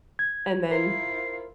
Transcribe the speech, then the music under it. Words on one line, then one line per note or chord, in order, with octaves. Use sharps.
and then
G#6
E4 F4 A#4 C5 C7